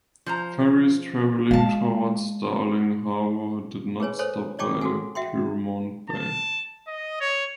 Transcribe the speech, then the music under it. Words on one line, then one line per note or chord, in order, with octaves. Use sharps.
Ferries travelling towards Darling Harbour did not stop at Pyrmont Bay.
F3 C5 A#5
G#3 F5 A5
G#4 B4 C#5 G#5
A4 C5 C#5 G#5
C#5 D5 G5 A5 C#6 D6
F#4 G#4 A4 F#5 G#5
F#4 E5 F#5 G5 C6
A5
D#5
C#5